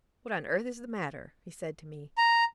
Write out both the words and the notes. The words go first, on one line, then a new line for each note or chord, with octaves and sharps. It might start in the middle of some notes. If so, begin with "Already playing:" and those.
'What on earth is the matter?' he said to me.
A#5